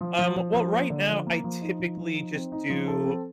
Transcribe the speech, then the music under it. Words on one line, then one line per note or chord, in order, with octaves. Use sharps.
Um, well, right now, I typically just do,
F3
F3
F3
F3
A#3
D3
F3
A#3
F3
D#4
F3
F3
D#4
C4
D#4
F3
A4
C4